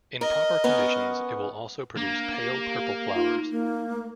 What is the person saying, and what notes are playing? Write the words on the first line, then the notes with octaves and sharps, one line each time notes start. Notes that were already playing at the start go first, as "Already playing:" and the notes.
In proper conditions, it will also produce pale purple flowers.
A#4 D#5
B3 C#4 A#4
A#3 D4
G4
D#4 F4
A#3
A3